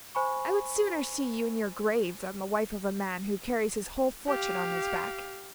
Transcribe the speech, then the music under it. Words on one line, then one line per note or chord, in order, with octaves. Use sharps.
I would sooner see you in your grave than the wife of a man who carries his whole fortune on his back.'
C5 G#5 B5 C#6
G4 F5